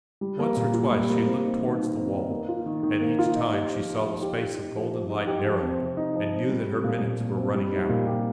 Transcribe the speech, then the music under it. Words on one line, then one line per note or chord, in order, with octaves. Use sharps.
Once or twice she looked towards the wall, and each time she saw the space of golden light narrowed, and knew that her minutes were running out.
G3
A#3
A#2
F4
G3
A#3
C4
D#4
D#3
D#3
C4
D#4
A#3
F4
D#3
D#3
A#3
F4
D#4
G4
F3
F3
D#4
G4
D#4
G4
F3
F3
D#4
G4
F3
C4
C3
D#4
F3
C4
G3
C4
A#2
A#2
G3
C4
G3
D#4
A#2
G4